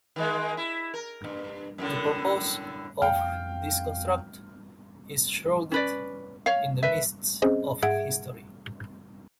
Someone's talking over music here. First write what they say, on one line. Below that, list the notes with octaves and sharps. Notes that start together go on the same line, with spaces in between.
The purpose of this construct is shrouded in the mists of history.
D#3 G#3 A#3
E4
A#4
G2
F#2 A2 D3
F2 F5 G5 F6
C#4 B4 D5
C#5 F5
B4 E5
C4 C#4 G#4 C5 D#5
G#2 G#4 E5 F#5 G#6 D7